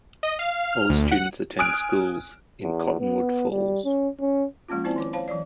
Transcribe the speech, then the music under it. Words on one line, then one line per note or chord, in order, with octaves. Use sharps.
All students attend schools in Cottonwood Falls.
D#5
F5
F6
D2
F#5
G#5 D#6 F6 F#6 D7
E2
B3
G3
C#4
C#4
F3 G#3 A#3 C#4 F4
C4 E4 C5 D5 G#5 A5
D#3 C#5 D6
C5 C#5 F5 A5 B5
E3 F#3 C#5 D5